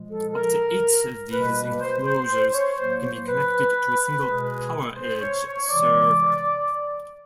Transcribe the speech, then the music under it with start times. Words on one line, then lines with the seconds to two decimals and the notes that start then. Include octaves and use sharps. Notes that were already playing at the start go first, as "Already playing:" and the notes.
Up to eight of these enclosures can be connected to a single PowerEdge server.
Already playing: A#2 F3 G#3
0.10 A4
0.35 A#4
1.32 B2 G3 A#3 B4
1.56 B4
1.81 C5
2.05 C5
2.29 C5
2.53 C#5
2.77 A2 F#3 A#3 C5
3.02 C5
3.27 B4
4.24 B2 G#3
4.96 C5
5.21 C#5
5.45 C#5
5.69 C3 E3 G#3 D5